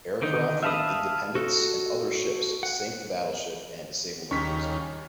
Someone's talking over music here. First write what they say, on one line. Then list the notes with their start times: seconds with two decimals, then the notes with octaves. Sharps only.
Aircraft from "Independence" and other ships sank the battleship and disabled a cruiser.
0.22 D3 D#3 D#4
0.63 E5 F5 A5 B5 D#6
1.35 F#4 A4
2.63 F#5
4.31 D#2 C#3 G3 C#4 D4 C#6 B6